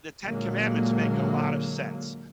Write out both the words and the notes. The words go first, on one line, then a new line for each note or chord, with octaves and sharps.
Eh, The Ten Commandments make a lot of sense,
A#2 D3 F#3 G#3 A#3